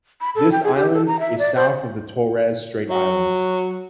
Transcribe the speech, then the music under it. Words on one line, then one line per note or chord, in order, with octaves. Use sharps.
This island is south of the Torres Strait Islands.
B5
A4
G5
G#4
G4
A4
A#5
E5
D5
C5
F#3